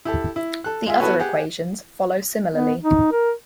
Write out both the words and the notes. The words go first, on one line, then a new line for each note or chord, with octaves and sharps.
The other equations follow similarly.
E4 G4 A4
E4
A4 F#6
G#3 F4 G#4 E5
B3 E4 F#4 A4 B4 C#5
G4 G#4 F#5
B3
D#4
A#4